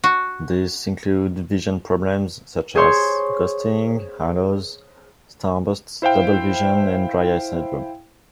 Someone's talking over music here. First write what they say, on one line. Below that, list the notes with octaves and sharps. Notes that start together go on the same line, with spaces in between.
These include vision problems such as ghosting, halos, starbursts, double-vision, and dry-eye syndrome.
F#4
G#4 C5 C#5 C6
E4 C5 F5 G5